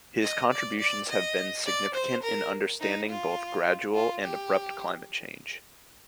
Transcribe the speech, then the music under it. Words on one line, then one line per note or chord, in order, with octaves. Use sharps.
His contributions have been significant in understanding both gradual and abrupt climate change.
D#5
D5
D5
D#5
D5
C5
A#4
D#4
F4
F4
G4